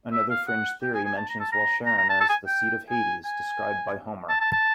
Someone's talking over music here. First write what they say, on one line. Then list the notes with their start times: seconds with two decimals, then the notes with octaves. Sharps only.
Another fringe theory mentions Walcheren as the seat of Hades, described by Homer.
0.12 E5
0.30 F5
0.48 F#5
0.82 G5
0.94 G#5
1.05 G#5
1.17 A5
1.29 A#5
1.40 A5
1.52 A#5
1.86 A#5
1.98 A#5
2.10 A5
2.21 A5
2.29 G#5
2.47 G5
2.90 G#5
3.25 G#5
4.29 A5
4.41 A5
4.52 A5